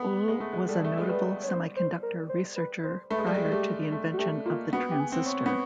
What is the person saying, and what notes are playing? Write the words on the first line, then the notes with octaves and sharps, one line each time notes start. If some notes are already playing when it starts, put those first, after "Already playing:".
Ohl was a notable semiconductor researcher prior to the invention of the transistor.
Already playing: B3
G#3
A3
G#3
G3 A4
A3
G#3
G3 B4
C#5
C5
C5
A#4
C5
B4
C5
A3 B4
G#3
G3
G#3
G#3
A3 G4
A3
F#4
A3 G4
A#3 F4
B3 F#4
G4
G#4
C4
C#5
B3